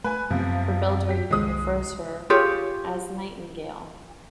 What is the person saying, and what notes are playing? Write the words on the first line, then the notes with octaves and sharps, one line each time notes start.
Her builder even refers to her as nightingale.
A3 B4 G#5
F#2 C3 F3 B3 C4
G4 B6
C2 C3 D#3 G#3 D#6
F4 G4 G#4 C#5